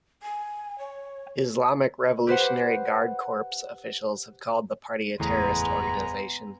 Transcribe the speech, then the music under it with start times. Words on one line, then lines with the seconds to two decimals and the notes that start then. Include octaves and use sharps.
Islamic Revolutionary Guard Corps officials have called the party a terrorist organization.
0.23 G#5
0.79 C#5
2.27 G4 B4 C5 F#5
5.20 F#1 E2 A2 E3 G#3 B3 G#4 A#5